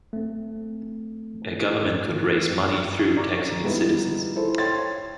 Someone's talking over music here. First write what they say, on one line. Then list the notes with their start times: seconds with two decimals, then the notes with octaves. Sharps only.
A government could raise money through taxing its citizens.
0.13 A3 C4
3.16 D5 A#5 C#6 D6
3.63 F3 G3 G#3 B3 D#4 E4
4.35 E4 G#4 A4 C5
4.58 C#5 G5 C6 G#6 A6